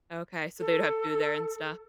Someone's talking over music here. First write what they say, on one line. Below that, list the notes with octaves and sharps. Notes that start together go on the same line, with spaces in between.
Okay, so they'd have food there and stuff?
A4